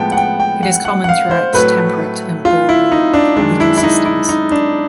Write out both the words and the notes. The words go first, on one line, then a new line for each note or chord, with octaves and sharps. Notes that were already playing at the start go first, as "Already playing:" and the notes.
It is common throughout temperate and boreal ecosystems.
Already playing: A2 F3 G#3 B3 G5 A5
F#5
G5
G5
F#5
F#5
F#5
F5
C5
A2 F#3 A3 B4
F4
E4
D#4
D4
F#2 D#3 G#3 D4
E4
E4
D#4
E4
D#4
D4